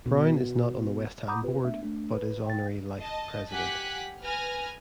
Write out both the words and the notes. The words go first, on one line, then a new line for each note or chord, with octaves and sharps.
Brown is not on the West Ham board but is honorary life president.
B2
F#5 A#5 B5 D6 D#6 G6
B3 F4 G4 B4
A3 B3 D4 E5
A3 D4
B4
G5 A6
D#5 A5
G4 F#5 G#5 F#6 B6
B4 G#5 F6 A#6